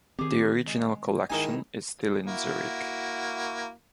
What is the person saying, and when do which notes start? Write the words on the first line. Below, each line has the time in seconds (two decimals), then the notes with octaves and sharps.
The original collection is still in Zurich.
0.19 D#3 C4 G4 G#4
0.67 G#3
1.30 D#3 G#3 D#4 E4 G#4 G#5
2.27 A#3 E4 F#4